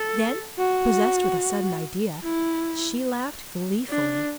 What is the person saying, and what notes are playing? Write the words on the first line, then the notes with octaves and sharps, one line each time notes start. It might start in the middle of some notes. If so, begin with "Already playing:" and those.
Then, possessed with a sudden idea, she laughed gleefully.
Already playing: A4
F#4
E4
D4